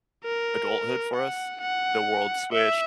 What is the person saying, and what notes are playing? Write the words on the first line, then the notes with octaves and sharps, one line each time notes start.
adulthood for us, eh, the world switched.
A#4
F#5
F#5
E5